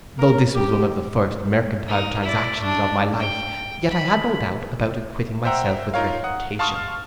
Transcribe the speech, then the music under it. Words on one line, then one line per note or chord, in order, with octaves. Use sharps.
Though this was one of the first mercantile transactions of my life, yet I had no doubt about acquitting myself with reputation.
A#4
G4
D#4 A#4
E4 D5
A3 D4
G5
B5
C5 E5 F#5 G5 A#5 E6
D#4 F4 A#4 C#5 F5
F#5 D#6
F5 A5 C6 C#6 D#6 F6